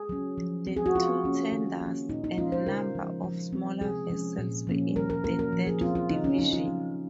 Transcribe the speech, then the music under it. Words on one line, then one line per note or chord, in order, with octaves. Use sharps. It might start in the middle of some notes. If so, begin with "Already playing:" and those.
The two tenders and number of smaller vessels were in the third division.
Already playing: G#4
F#3 C#4
F3
C4
G#4
F#4
F3 F4
A#3 C#4
D#3
A#3 C#4
A#2 D#4
D#4
G#3 C#4 F4
C5
C#3 A#4
F3 G#3
F3
C4
C3 G#4
F3 G#3 C#4
A#2
F3 A#3 C#4
D#3 A#4
A#4
F#3 A#3 C#4 A#4
A#4
F3
G#4
C4 F4
F4
C#3 D#4
C#4
F#3 C#4 D#4
F4
F3